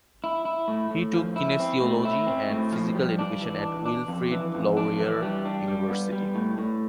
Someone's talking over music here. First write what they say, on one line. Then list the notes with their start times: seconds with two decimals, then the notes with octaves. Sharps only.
He took Kinesiology and Physical education at Wilfrid Laurier University.
0.24 E4
0.45 E4
0.68 A2
0.91 A2
1.14 F3
1.36 E4
1.60 C4
1.82 A2
2.05 E4
2.27 C4
2.49 A2
2.72 F3
2.95 G3
3.19 D4
3.41 E3
3.63 D4
3.86 D4
4.08 F2
4.31 E3
4.54 F2
4.77 D4
4.99 E3
5.22 G3
5.45 D4
5.68 G3
5.90 B3
6.13 G3
6.35 A2
6.58 A2